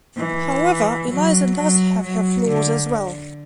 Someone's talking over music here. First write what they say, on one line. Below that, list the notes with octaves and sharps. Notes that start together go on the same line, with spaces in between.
However, Elisa does have her flaws as well.
E3
F#3
F#3
F#3
D3